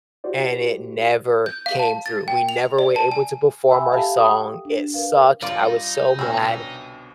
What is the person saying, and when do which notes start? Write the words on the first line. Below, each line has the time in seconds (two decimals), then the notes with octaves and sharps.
and it never came through, we never were able to perform our song, it sucked, I was so mad.
0.24 E4 F#4 G4 C5 D5
1.46 G6
1.66 F5
1.79 A5
2.06 A6
2.28 G5
2.49 F7
2.79 D5
2.96 A5
3.11 G#5
3.71 E5 G5 G#5 B5 E6
3.92 G4 A4 F5 F#5 A5
4.17 G5 D#6
4.65 D4
4.94 A#4 B4 F5
5.42 G2 D#4 F4 D5 G6
6.19 C2 B2 D3 C4 C#4